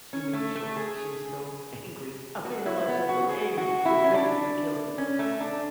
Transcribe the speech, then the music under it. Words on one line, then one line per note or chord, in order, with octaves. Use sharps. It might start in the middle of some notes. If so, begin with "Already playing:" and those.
She made sure of it, she was so angry I don't even know why she was so angry, which basically killed him,
C#4
A3
A3
G#4
F#4
E4
B3
F#4
G#4
F#4
E4
C#4
D4
C#4
A3
D4